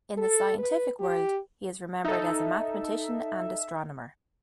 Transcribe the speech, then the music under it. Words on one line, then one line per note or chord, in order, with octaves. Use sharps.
In the scientific world he is remembered as a mathematician and astronomer.
A4
B4
G4
D#4 A4 E5